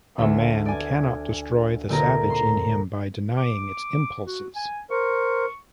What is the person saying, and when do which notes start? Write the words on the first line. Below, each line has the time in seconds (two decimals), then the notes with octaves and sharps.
A man cannot destroy the savage in him by denying its impulses.
0.19 D2 C#5 E5
0.66 D5 G#5
1.89 A#2 D3 A3 C4 G#4 A#4
2.30 A#5 C6
3.37 D6
4.26 F#4
4.56 G#5
4.91 A#4 C5 C#6